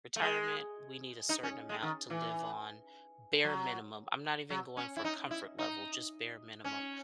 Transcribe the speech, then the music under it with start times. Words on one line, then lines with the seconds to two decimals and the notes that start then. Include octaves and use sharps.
retirement, we need a certain amount to live on bare minimum," I'm not even going for comfort level, just bare minimum.
0.16 A3
0.22 G#3
1.29 D#4
1.43 C#4
1.69 G#3
1.82 D#3
2.10 E3
3.44 F#3
4.50 F#3
4.77 C#4
4.97 E4
5.04 D#4
5.31 E4
5.58 D#4
6.64 C#4